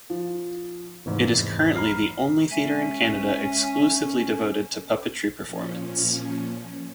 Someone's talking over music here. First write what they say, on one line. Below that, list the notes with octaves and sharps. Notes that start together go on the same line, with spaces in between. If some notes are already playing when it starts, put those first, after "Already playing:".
It is currently the only theatre in Canada exclusively devoted to puppetry performance.
F3
F1 E2 G#2
A#5 B5 F6 C7
G#3 C#4 E5 G#5
A#2 F3 C#4